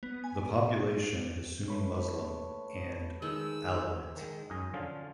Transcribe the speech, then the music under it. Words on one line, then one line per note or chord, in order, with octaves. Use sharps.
The population is Sunni Muslim and Alawite.
B3
G#5
A3 B4 C#5
D#3 G#3 E6
D#3 G#3
F#2 D#4 D#5 G#5
D3 F3 C#4 F4